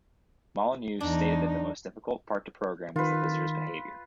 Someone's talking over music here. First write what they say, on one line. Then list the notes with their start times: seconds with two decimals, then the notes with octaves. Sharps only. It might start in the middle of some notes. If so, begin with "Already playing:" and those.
Molyneux stated that the most difficult part to program was the visitors' behaviour.
1.01 E2 D4 D#4
2.96 D#3 F4 B4